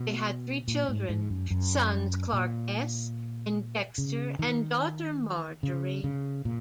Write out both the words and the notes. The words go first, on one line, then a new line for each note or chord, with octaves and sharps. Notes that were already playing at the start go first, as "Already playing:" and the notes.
They had three children, sons Clark S. and Dexter, and daughter Marjorie.
Already playing: B2
A#2
G#2
G#2
F#2
F#2
A#2
C#3
D#3
C#3
C#3
A#2